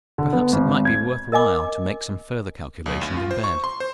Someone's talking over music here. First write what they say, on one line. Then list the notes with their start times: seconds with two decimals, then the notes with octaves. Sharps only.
Perhaps it might be worth while to make some further calculation in bed.
0.18 D3
0.33 B3
0.52 G#1
0.85 G#6
1.32 A#4 D#5 G#5 D6
2.86 B1
3.01 D2
3.17 F4
3.31 C5
3.44 C#6
3.64 C6
3.80 C5